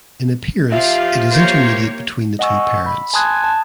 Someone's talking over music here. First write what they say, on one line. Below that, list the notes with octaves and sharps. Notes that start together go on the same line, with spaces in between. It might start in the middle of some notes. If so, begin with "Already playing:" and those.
In appearance it is intermediate between the two parents.
F3 F4 G4 E5 F5
A#3 G4 C5 C#5
D#5 F#5 G#5 C#6 E6
B5
G#5 A5 C6 D#6 F#6 G#6
A5